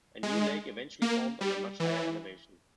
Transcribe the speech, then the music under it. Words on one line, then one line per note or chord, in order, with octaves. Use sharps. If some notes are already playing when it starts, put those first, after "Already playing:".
A new lake eventually formed on a much higher elevation.
G#3
A#3
G3
E3